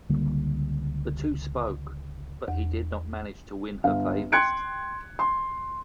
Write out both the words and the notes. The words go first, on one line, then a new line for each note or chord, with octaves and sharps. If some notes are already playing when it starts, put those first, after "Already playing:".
The two spoke, but he did not manage to win her favours.
C#2 D3 G3 A#3
E2
G1 F5
G5 C6 F#6 G#6 C#7 D7
C6